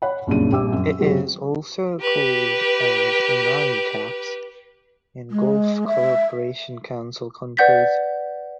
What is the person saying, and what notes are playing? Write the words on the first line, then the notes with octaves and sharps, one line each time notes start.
It is also called as "Omani caps" in Gulf Cooperation Council countries.
C#5 F#5 B5
C2 F#2 A#2 C#3 D4 D#7
A#1 G3 G5 D6 E6
F#2
C3 F#3 G#3
G4 B4
G#3
E5
B4 D5 F#5 G6 A6 B6